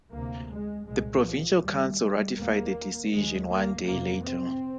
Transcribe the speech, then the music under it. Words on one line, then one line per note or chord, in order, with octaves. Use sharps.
The Provincial Council ratified the decision one day later.
D2 C3 A#3
G#3
C2 A#2 G#3
F3
D#2 G3
G3
D#2 A#3
D#2 G#3
A#3
F2 C3 A#3
C4